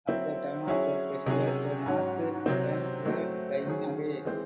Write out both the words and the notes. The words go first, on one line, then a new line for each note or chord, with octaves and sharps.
At the time of the festival, the north winds were dying away.
F#3 C4 E4
F#3 C#4 E4 G#4
C3 F#3 C#4 G#4
G#2 F#3 C#4 F#4
C3 F#3 C4
F#3 A3 C4
D#3 F#3 C#4 G#4
E3 G#3 C4